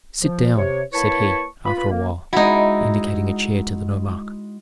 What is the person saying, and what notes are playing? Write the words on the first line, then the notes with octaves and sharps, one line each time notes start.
"Sit down," said he, after a while, indicating a chair to the nomarch.
F3
C3 C#5
A#3 E4 B4 C#5 A5 C#6
F4 B4 B5
A#3
G#3 D#4 E4 F#4